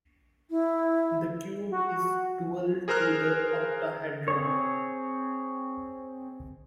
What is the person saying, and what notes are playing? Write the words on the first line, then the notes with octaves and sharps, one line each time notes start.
The cube is dual to the octahedron.
E4
F#4
G#4 A#4 C5 A#5 F6 F#6
C4 G#4 C#5